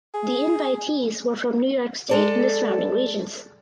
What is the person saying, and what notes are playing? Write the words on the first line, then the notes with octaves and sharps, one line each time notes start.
The invitees were from New York state and the surrounding regions.
G#4
G#3 A4 D5